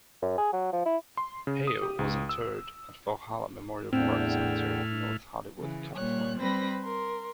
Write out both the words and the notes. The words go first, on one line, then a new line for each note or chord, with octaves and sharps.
Hale was interred at Valhalla Memorial Park Cemetery in North Hollywood, California.
F#2
G#4
F#3
F3
E4
C6
C#3
D#6
G4
C#2
E6
E2 A2 D3 C4 E4 G5 F6
C#3 E3
A#2 G3 C#5 F#6
G3 C4 B4 C5 B5 A#6
A#4 C6